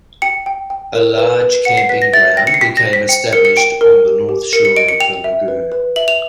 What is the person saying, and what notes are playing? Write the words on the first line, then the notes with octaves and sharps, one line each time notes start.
A large camping ground became established on the north shore of the lagoon.
G5 C#7
G5
G5
A#4
B4
B4
F#5 C#7
C7
B4 B6
A#6
E5 A6
G5 A#6
C#7
C7
G5 B6
A#6
C5
B6
G5 C#7
A#4 C#7
C#7
G5 D7
A#4
G4
G4
A#4 C#7
C#7
D#5 D7
C#7
G5 F7
E5
B4
B4
E5 F#7
F7